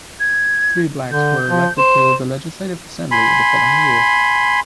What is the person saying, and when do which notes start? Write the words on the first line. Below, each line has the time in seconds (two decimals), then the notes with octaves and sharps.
Three Blacks were elected to the legislative assembly the following year.
0.20 G#6
1.12 D3 G6
1.50 F3
1.78 C5 E7
3.11 G#5 B5 C6